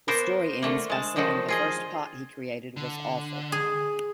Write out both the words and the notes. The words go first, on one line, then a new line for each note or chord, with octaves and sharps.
The story ends by saying the first pot he created was 'awful.
A#3 B3 A#4 C5
D3 A3 A#3
G#3 A5
D3 D#3 F3 F#3 D#4
F4 G#4 D#5
D3
G#4